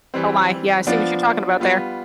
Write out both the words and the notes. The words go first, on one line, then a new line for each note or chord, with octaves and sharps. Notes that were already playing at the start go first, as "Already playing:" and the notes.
Oh my, yeah, I see what you're talking about there.
E3 G3 C4
F3 B3 D4 F4
G3 B3 F4